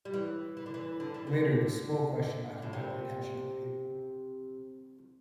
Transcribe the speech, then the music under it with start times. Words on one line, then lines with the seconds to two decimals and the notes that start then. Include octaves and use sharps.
Later the school question occupied the attention of the people.
0.05 G3
0.14 E3
0.57 E3
0.66 D3
0.74 E3
1.00 D3
1.14 E3
1.27 D3
2.62 A2
2.73 C3